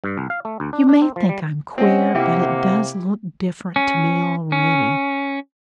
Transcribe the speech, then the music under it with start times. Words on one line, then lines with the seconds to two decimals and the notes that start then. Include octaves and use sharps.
"You may think I'm queer, but it does look different to me already!"
0.04 G2
0.17 C2
0.30 F5
0.45 A3
0.60 D2
0.73 D4
0.89 D4
1.02 C4
1.16 F3
1.29 G3
1.78 C4 C#4 D#5 F#5
2.15 C3 A#3 E4 G4
3.76 C#4
4.52 C#4